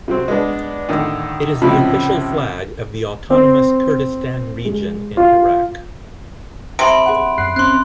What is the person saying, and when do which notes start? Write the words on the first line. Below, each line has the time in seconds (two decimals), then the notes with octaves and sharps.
It is the official flag of the autonomous Kurdistan Region in Iraq.
0.08 C3 F#3 C4
0.28 G#3 B3 D4
0.88 A2 D3 D#3
1.62 C#2 A2 C3 F3 G#3 B5
3.30 C4
4.65 G#3
5.17 F4
6.79 C3 B5 C6 D7
7.06 G#4 F#5
7.38 F#2 F#6 C7
7.56 C4 C#4 C6 F#6